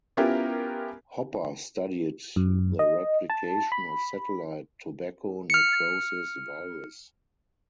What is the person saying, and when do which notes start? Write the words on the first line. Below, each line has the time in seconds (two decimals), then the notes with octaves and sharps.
Hopper studied the replication of satellite tobacco necrosis virus.
0.17 B3 C#4 E4 F4 G4 A#4
2.36 F#2
2.79 D#5
3.30 A5
3.72 B5
5.50 F6 C#7